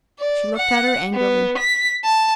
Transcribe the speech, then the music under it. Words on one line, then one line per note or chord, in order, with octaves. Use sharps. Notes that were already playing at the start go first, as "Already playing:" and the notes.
She looked at her angrily.
D5
F#5
B3
B6
A5